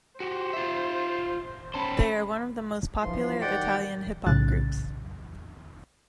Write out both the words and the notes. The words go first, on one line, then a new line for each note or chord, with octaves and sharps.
They are one of the most popular Italian hip hop groups.
F#4 G4 C5
F4 E5
C#4 C5 A5 B5
G2 E3 F3 C6
D#2 B2 D#3 D5 F#5 G5
B1 A2 C#3 F#6 A6